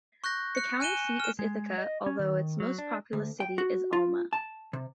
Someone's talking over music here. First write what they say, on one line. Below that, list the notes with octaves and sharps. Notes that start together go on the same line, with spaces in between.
The county seat is Ithaca, although its most populous city is Alma.
C#6 F#6 G6 A#6
F#6 C#7
G#5 F#6 D#7 E7 G7
F6 E7
G#3
D#5
C#4
D#3
F#3
D4
D2
G5
F#4
F4
A5
C3